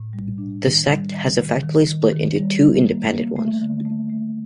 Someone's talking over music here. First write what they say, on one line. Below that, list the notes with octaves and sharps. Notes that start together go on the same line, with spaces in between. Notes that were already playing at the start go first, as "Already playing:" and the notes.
The sect has effectively split into two independent ones.
Already playing: A2
G3
D4
D#3
G3
D#3
D#3
D#3
D#3
D#3
G3
G3
A#3
A#3
A3
D3
A3
A3